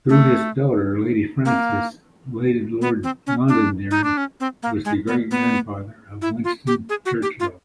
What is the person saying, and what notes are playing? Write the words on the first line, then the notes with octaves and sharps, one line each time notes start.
Through his daughter Lady Frances, Lord Londonderry was the great-grandfather of Winston Churchill.
A3
A#3
B3
C4
C#4
D4
D#4
D4
C#4
C4
A#3
G#3
B3
B3
E4
F4
G4
G#4
F#4
G4
F4